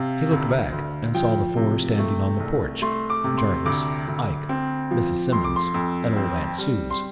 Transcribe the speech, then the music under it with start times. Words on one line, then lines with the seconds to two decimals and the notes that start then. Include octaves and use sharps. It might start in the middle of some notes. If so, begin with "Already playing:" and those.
He looked back and saw the four standing on the porch, Jarvis, Ike, Mrs. Simmons, and old Aunt Suse.
Already playing: C3 F5
0.31 D2
0.72 D2
1.14 F3 G5
1.56 C3
1.99 A3
2.40 C2
2.82 A3 C6
3.10 D6
3.24 C3
3.38 C6
3.66 D2 D6
4.08 D2
4.49 C4
4.91 F3
5.32 F2 C6
5.44 D6
5.56 C6
5.74 F2
6.16 C4
6.58 G3
6.90 C6